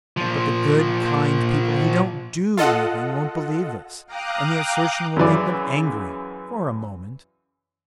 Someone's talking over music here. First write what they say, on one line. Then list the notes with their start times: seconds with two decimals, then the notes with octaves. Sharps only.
But the good, kind people who don't do anything won't believe this, and the assertion will make them angry--for a moment.
0.17 A#2 F3
2.57 F4 A4 D#5 F#5
4.06 F5 G5 A#5 D6 D#6 F#6
5.17 F#2 C#3 E3 D5